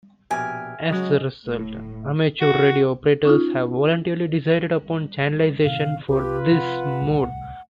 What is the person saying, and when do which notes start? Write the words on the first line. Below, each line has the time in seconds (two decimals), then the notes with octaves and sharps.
As a result, amateur radio operators have voluntarily decided upon channelization for this mode.
0.31 A#1 B2 G4 E5 G5 G#5 F6
0.90 C#3 F#3 G#3 G#4 D#5
1.46 D1 A2
2.41 F#4
3.25 C#4 D#4 F4
5.64 A1 C3 D#3 F5
6.09 C2 F4 G4 B4
6.52 C3 F3 F#5
7.01 D1 C2 A3